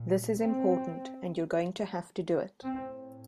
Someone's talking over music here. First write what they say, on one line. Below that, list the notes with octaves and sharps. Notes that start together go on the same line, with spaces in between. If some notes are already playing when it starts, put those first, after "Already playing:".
'This is important, and you're going to have to do it.
Already playing: A#2
C4
A2 C4